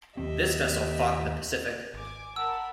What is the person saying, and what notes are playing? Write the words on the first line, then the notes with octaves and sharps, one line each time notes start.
This vessel fought in the Pacific.
D#2 C4 G4 D#5 E5
G#1 G#5 D6
A#4 F#5 A5 B5 E6